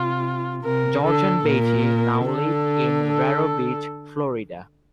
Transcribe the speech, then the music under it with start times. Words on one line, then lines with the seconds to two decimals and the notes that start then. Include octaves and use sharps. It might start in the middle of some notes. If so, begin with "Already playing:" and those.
George and Betty now live in Vero Beach, Florida.
Already playing: C3 F4
0.63 C3 A#4
1.04 D3 A4
1.45 A#2 A#4
2.26 D3 A4
3.07 A4